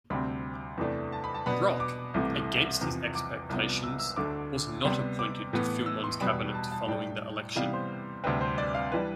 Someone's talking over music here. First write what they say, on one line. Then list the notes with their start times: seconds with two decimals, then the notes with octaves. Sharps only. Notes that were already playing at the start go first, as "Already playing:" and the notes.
Roch, against his expectations, was not appointed to Filmon's cabinet following the election.
0.10 D2 C3 G3 C4 B5
0.78 E2 C3 E3 A3 D4
1.12 A5
1.24 B5
1.34 A5
1.46 B2 B3 D4 B5
1.80 D6
2.14 C2 C3 E3 A3
2.81 E2 C3 F3
3.15 D6
3.49 C2 C3 F3 B3 D4
3.83 E6
4.00 E6
4.16 D2 D3 A3 D6
4.84 C3 G3 B3 C6
5.19 D6
5.53 A2 E3 B3
5.86 E6
6.04 C6
6.20 E2 B2 G3 B5
6.54 A5
6.72 A5
6.88 A2 G3 D4 G5
7.56 C3 E3 G3 B3 F5
7.73 C5
8.24 D2 C3 G3 C4 B4
8.41 C5
8.58 D5
8.75 F5
8.92 E3 G3 D4 B4